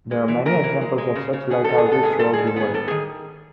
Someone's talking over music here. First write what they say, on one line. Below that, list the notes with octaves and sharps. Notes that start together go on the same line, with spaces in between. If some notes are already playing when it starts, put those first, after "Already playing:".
There are many examples of such lighthouses throughout the world.
G#3
E3
E3 A#4
E3
G#3
G#3
C#3
C#3
B3 G#4
G#2 A4
G#4
B3
A4
G#2 G#4
G3 A4
G#2 G#4
A4
B3 G#4
G3 A4
D#3 G#4